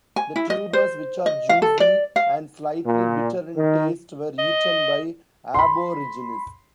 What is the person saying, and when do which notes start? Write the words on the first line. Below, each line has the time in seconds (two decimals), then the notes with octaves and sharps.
The tubers, which are juicy and slightly bitter in taste, were eaten by Aborigines.
0.16 G#5
0.36 E4
0.50 D#5
0.73 C5
1.26 D#5
1.49 F5
1.62 A4
1.80 D5
2.16 F5
2.86 A#2
3.56 D#3
4.38 D#5
5.54 B5 C6